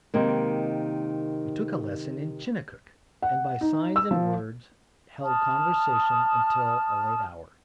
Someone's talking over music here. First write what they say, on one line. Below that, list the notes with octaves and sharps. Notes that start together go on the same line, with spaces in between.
We took a lesson in Chinook, and by signs and words held conversation until a late hour.
C3 D#3 G#3 A#3
F#5
D#4
E6
F3
A5 D#6 F6